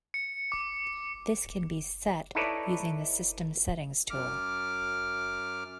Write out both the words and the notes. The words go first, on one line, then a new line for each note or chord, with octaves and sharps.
This can be set using the System Settings tool.
C#7
D6
D#4 E4 A4 B4 C#5 D5
F#2 D6 F6